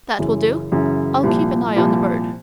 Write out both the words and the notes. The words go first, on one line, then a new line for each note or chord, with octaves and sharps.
"That will do; I'll keep an eye on the bird."
F#2 C#3 E3
F#2 C#3 E3
C2 A#2 F3
C2 A#2 F3